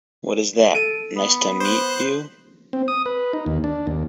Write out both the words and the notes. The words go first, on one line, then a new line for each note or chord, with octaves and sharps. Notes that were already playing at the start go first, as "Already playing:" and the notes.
What is that, nice to "meat" you?
A4 D7 D#7
B3
C5 F#6
C4
D#6
B4
D#4
D#2
D4
D#2